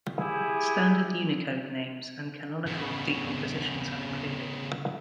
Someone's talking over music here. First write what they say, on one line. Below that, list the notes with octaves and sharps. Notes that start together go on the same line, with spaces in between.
Standard Unicode names and canonical decompositions are included.
E4 G4 G#4
C#3 B3